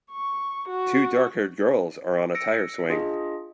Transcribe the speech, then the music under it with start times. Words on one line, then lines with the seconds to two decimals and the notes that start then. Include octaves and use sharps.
Two darkhaired girls are on a tire swing.
0.11 C#6
0.68 F#4
2.34 E6 A#6 C#7 D7
2.90 D4 F4 G#4 D#5